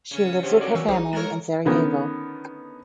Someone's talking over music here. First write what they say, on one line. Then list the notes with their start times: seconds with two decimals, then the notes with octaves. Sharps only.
She lives with her family in Sarajevo.
0.11 C#3 C#4
0.43 E3 G4 C5
0.61 F#4 A#4 D5
0.75 E3 C#6 E6
0.88 B1 F2 D#4 G#4 C5
1.13 G#3 F#4 A4 A#4 C#5 G#6 A6
1.65 D3 D#3 B3 C#4